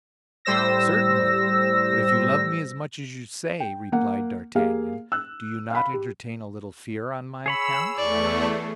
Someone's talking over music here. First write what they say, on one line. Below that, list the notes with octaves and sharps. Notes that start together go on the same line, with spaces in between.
"Certainly; but if you love me as much as you say," replied d'Artagnan, "do you not entertain a little fear on my account?"
A2 G3 C5 E6 A#6
G5
A#3 F#5
A#3 G4 G#4 F5
E6 F#6
F5 B5
G4
G#4 C#5 B5 E6
E2 A3 D5 C#6